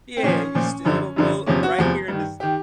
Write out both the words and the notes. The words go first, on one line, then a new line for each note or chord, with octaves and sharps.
Yeah, you still gone go right here in this"
C4
A#2 F3 C#4
A#2 F3
F#2 D3 F3
F#2 D3 F3
E2 C3 F3 C#4
F#4
E2 C3 F3
G2 D#3
D#3 G4